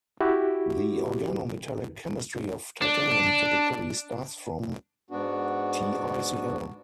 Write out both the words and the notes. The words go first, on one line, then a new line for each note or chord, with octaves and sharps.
The organometallic chemistry of titanium typically starts from TiCl.
E4 F#4 G4
D4
G#2 B3 D4 F#4